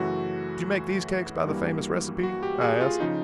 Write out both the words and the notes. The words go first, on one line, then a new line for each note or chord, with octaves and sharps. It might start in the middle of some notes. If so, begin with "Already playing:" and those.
"Did you make these cakes by the famous recipe?" I asked.
Already playing: F#2 C#3 E3 A3 F#4
G2 E3 G3 A#3
F#4
G4
G#4
F4
C#3 F3 D#4